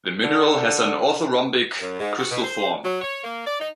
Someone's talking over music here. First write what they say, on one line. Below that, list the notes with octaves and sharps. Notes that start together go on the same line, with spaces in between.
The mineral has an orthorhombic crystal form.
D3
F#2
G#2
F#4
B2
C5
F#3
C#5
A#3
D5
D#4